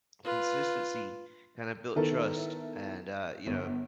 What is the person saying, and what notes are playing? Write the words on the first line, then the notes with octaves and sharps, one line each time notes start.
consistency kinda built trust and, uh, you know,
F4 B4
D#3 B3 E4 A4 A#4
G1